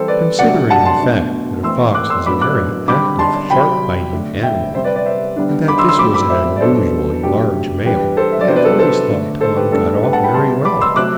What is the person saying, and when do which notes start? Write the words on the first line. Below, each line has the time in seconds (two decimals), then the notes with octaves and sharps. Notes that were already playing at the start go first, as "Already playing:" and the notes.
Considering the fact that a fox is a very active, sharp-biting animal, and that this was an unusually large male, I have always thought Tom got off very well.
Already playing: E3 G3 C4 A4 C5
0.08 B4 D5
0.39 C3 F#3 A3 D4 D5 F#5
0.70 F#5 A5
0.85 A5 C6
1.01 B2 A3 D4
1.63 E3 A3 C4 C6 E6
1.94 D6 F#6
2.10 C6 E6
2.25 A2 F#3 B3 D4 B5 D6
2.41 D6 F#6
2.88 D3 G3 C4 B5 D6
3.19 A5 C6
3.50 C3 F#3 C4 G5 B5
4.12 D3 A3 D4
4.43 E5 G5
4.74 C3 G3 C4 C5 E5
4.84 B4 D5
4.96 B4 D5
5.06 C5 E5
5.36 D3 G3 B3 D4
5.68 B5 D6
5.78 C6 E6
5.89 C6 E6
5.98 A2 F#3 C4 B5 D6
6.14 B5 D6
6.30 C5 E5
6.56 D5
6.61 B2 F#3 B3 D4 A4 C5
7.23 C3 F#3 A3 D4 G4
7.86 E3 G3 D4 G4 B4
8.17 A4 C5
8.32 E5
8.41 D5
8.48 C3 F#3 B3 D4 C5
8.56 B4 D5
8.65 A4
8.72 B4
8.79 A4 C5
9.10 D3 A3 D4
9.41 A4 C5
9.56 G4 B4
9.71 A2 G3 B3 D4 A4
10.03 G4 B4
10.13 F#5 A5
10.23 G5 B5
10.34 C3 G3 B3 A5 C6
10.65 B5 D6
10.81 C6 E6
10.96 C3 F#3 A3 C4 D6 F#6